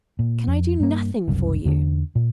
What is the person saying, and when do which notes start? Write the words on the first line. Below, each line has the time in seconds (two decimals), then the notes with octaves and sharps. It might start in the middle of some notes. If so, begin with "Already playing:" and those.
Can I do nothing for you?'
0.19 A#2
0.47 F2
0.80 G2 A#3
1.28 F#1 C2 F#2
1.65 E2 D3 C4 D4
2.15 A#2